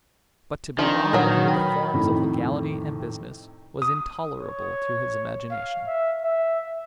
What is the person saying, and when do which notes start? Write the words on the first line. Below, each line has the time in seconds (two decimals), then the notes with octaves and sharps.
But to be robbed under the forms of legality and business was intolerable to his imagination.
0.79 D#3 F3 C4 D4 D5 A#5
1.13 A#2 F#3 A#4 B4 G5
1.48 G5 B5
1.93 F2 A2 C3 D#3
3.82 D#6
4.40 C#5
5.51 F5
5.87 E5
6.22 E5